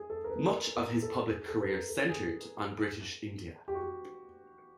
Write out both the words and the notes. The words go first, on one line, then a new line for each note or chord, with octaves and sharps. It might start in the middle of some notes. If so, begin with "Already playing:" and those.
Much of his public career centred on British India.
Already playing: G#4
A4
A#4
B4
A#4
A#4
A4
G#4
A4
B4
A#4
A4
G#4
G4
F#4
G4